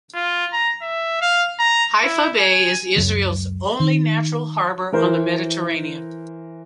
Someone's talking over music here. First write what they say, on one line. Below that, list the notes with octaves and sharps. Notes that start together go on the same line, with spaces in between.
Haifa Bay is Israel's only natural harbor on the Mediterranean.
F4
A#5
E5
F5
A#5
E4
G#5
C#2 F#2 F#3
D#3
E3 A#4 C5